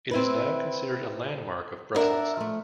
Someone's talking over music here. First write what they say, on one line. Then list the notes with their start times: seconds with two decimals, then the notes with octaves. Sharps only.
It is now considered a landmark of Brussels.
0.11 C4 E4 B4
1.95 B3 D4 A#4 E5 F#5
2.37 F3 A3